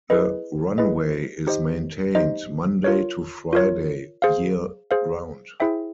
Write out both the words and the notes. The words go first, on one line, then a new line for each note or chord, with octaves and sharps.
The runway is maintained Monday to Friday year-round.
E4 G#4 B4 D#5
E4 G#4 B4 D#5
D#4 G4 C5 D#5
D#4 G4 C5 D#5
F4 A#4 C#5
F4 A#4 C#5
G#4 C5 F5
G#4 C5 F5
E4 G#4 C5 E5 G5